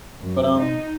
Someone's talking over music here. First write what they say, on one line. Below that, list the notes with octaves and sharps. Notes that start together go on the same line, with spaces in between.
But, um,
F#2
D#4